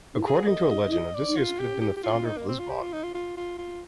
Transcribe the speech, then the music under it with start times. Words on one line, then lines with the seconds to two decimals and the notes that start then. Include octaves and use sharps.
According to a legend, Odysseus could have been the founder of Lisbon.
0.27 G#4
0.48 D#5
0.71 D#5
0.93 D#5
1.14 D5
1.37 F4
1.59 G4
1.81 G4
1.97 G4
2.03 F4
2.25 D#4
2.37 A#3
2.49 C4
2.59 F4
2.70 G4
2.81 F4
2.93 D#4
3.04 F4
3.14 F4
3.37 F4
3.58 F4